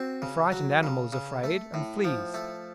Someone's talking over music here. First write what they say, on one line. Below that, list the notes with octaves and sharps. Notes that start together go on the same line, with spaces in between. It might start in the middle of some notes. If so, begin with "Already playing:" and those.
The frightened animal is afraid and flees.
Already playing: C4 F#4
C#3
F#3
C#3
C#3
A3
A2
F3
A3